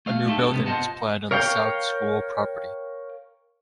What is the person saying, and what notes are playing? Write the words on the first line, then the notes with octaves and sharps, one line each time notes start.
A new building was planned on the South School property.
A3 F5
A3 D#4 E4 G4 A4
D4 G4 A4
G#2 C3 B3
F4 C5 D#5 F#5 A5
A#4 C#5 F5 G5